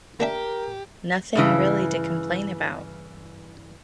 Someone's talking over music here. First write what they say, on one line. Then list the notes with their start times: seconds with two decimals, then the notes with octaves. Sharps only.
Nothing really to complain about.
0.20 A#3 D4 G4 A#4 E5
1.35 G2 C#3 E3